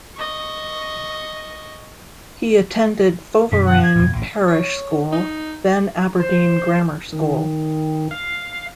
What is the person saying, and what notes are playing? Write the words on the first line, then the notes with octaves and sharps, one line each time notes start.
He attended Foveran Parish School then Aberdeen Grammar School.
D#5 C#6
F#2 B2 D#3 B6
F#5
G#6
D1 F2 B2
A1
C#5
D#4
C5
D#3
F5